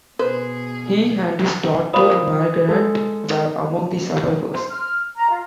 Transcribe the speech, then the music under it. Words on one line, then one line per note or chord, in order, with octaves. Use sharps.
He and his daughter, Margaret, were among the survivors.
B2 G#4 B4 C5
F4 A#4 C5 B5 D#6
G#3 A4
C5
F6
A#5
F4